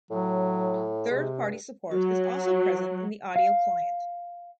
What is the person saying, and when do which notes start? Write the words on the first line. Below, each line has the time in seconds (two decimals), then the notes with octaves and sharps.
Third-party support is also present in the audio client.
0.11 A2 F#3
1.11 C3 G#3
1.39 G2
1.91 F#3 F#4
3.36 F5